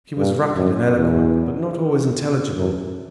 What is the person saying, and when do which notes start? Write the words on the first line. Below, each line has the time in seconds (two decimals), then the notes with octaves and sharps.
She was rapid and eloquent, but not always intelligible.
0.17 G2
0.56 F#2
0.97 E2
2.56 F#2